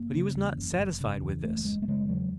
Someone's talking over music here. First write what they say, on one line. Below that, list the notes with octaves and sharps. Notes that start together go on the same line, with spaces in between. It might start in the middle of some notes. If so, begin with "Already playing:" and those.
But he was not satisfied with this.
Already playing: F#1 A#3
C#3
E2
F#1
F#1
C#3
E2
F#1 A3
F#1 G#3
A3
C#3 G#3
E2 F#3